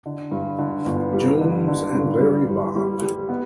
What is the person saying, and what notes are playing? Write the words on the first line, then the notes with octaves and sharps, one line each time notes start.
Jones and Larrybob.
D3
G2
D3
G1
G3
D3
D3
G2
G3
G3
G3
G3
B3